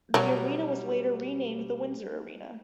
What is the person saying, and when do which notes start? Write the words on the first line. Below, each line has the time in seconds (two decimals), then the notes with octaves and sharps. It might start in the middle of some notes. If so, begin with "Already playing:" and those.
The arena was later renamed the Windsor Arena.
0.14 B2 F#3 G3 A#4